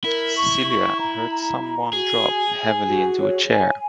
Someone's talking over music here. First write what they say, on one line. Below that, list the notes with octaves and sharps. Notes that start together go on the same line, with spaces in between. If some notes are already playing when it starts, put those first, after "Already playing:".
Celia heard some one drop heavily into a chair.
E4 A#4
C#6
C#6
A#5
A#5
A#5
F#4 G#4
G#5
G#5
F#4
C#5
G#5